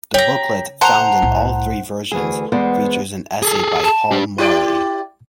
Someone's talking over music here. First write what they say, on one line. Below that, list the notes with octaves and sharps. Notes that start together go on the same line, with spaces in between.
The booklet, found in all three versions, features an essay by Paul Morley.
C#3 G4 C#5 A#5
C5 F#5 A5 A#5 F7
C2 A2
D2 E3 G#4
E2 G#3 B3 C5 D5
G#4 A4
A5
D4 G4
E4 G4 D5